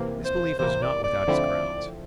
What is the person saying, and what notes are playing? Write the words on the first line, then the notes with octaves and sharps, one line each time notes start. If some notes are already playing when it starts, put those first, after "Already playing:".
This belief was not without its grounds.
Already playing: C3 E3 A#3
C5
C3 E3 A#3 C5
D5
D5
D3 F3 A3 C4 E4